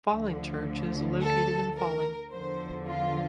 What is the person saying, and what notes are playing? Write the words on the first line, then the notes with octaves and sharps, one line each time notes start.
Falling Church is located in Falling.
D2 D3 F3
A4
A#4
E2 D3 F3 C5
F4